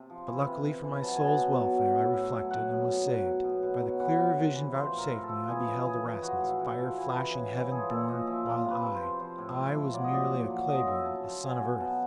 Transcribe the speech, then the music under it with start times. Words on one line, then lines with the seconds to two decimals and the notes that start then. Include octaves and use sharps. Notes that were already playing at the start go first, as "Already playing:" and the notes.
But, luckily for my soul's welfare, I reflected and was saved. By the clearer vision vouchsafed me, I beheld Erasmus, fire-flashing, heaven-born, while I--I was merely a clay-born, a son of earth.
Already playing: C3 A5
0.10 F3
0.28 E3
0.47 C3
0.65 C3
0.84 E3
1.02 F#3 A5
1.15 G#5
1.21 B2
1.27 A5
1.39 B2
1.58 F#3
1.76 F#3
1.95 A2
2.13 A2
2.32 F#3
2.51 F#3 F#5
2.69 B2
2.88 B2
3.07 F#3
3.25 F#3
3.44 B2
3.63 B2
3.81 F#3
3.99 E3 F#5
4.18 C3
4.37 C3
4.55 E3
4.74 F3 C5
4.93 A2
4.98 A#4
5.11 A2
5.24 A4
5.29 F3
5.48 E3 G#4
5.66 C#3
5.85 C#3 G#4
6.04 E3
6.22 F3 F#4
6.41 A2
6.60 A2
6.78 F3
6.97 E3
7.15 C#3
7.34 C#3
7.53 E3
7.71 F3 G#4
7.90 A#2 A4
8.08 A#2 D#5
8.27 F3 E5
8.45 F3 F5
8.65 C3
8.70 B4
8.82 C3
8.95 C5
9.01 F3
9.20 F3 C5
9.38 A2
9.57 A2
9.75 F3
9.94 F#3 D5
10.04 D#5
10.13 A#2 D5
10.31 A#2
10.50 F#3
10.68 F3 D#5
10.87 C#3 E5
11.06 C#3 A5
11.24 F3 A5
11.43 F#3 G#5
11.61 B2
11.80 B2 A5